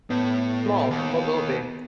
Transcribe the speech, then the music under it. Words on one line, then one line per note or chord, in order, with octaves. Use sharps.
Small, what will it be?
A2 B3
D#2